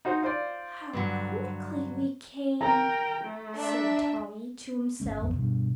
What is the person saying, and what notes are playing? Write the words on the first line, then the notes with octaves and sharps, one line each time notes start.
"How quickly we came," said Tommy to himself.
D#4 F#4 C5
F4 C5 D5
G2 D3 F#3
A#4 G5 A#5
A3
D4 E5
G1 G#3 A3 C#4
A1 F2 G#3 B3
G2 B2